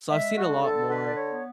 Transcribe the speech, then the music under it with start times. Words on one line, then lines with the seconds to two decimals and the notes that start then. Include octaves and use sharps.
so I've seen a lot more,
0.10 G#3 E5
0.37 F#4
0.49 D3
0.63 A4
0.89 D3 B4
1.07 D5
1.16 C#5
1.29 B3